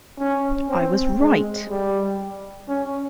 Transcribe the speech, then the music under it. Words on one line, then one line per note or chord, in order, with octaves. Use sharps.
I was right!
C#4
C4
G#3
G3
C#4